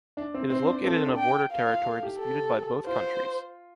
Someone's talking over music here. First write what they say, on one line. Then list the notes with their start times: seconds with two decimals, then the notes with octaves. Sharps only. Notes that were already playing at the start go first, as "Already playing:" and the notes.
It is located in a border territory disputed by both countries.
0.17 D4
0.34 C4
0.50 C4 C5
0.68 D4
0.84 C4 A4
1.06 D4
1.17 G5
1.51 F5
1.68 F4
1.85 A4
2.03 G4
2.19 A4
2.86 F4 C5